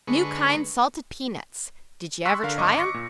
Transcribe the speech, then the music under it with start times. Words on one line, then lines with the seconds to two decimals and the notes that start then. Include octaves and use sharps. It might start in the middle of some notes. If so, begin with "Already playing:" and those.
NEW KIND SALTED PEANUTS Did you ever try them?
0.07 D3 G#3 B4 C#6
2.25 C6 C#6 E6 F#6 B6
2.43 D3 A#4 F5
2.57 G#1 D#5 C#6 D6
2.77 C#6 D6 A#6 C#7
2.94 A#2